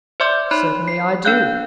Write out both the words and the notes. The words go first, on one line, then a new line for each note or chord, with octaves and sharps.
"Certainly I do."
C5 D5 E5 C6 D6 G6
D#4 C#5 B5 F#6
C7
D4 C5 F5 F#6 G6